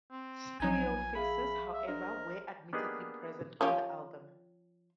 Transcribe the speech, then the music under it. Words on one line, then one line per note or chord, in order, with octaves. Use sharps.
Studio fixes, however, were admittedly present on the album.
C4
A#1 F3 F#3 D#4 G#5 G#6
G#4 E5 F5 B5
E5
D4 A#4 C5 D#5
A#3 B3 D4 D#4 G4 G#4
F3 C#4 G4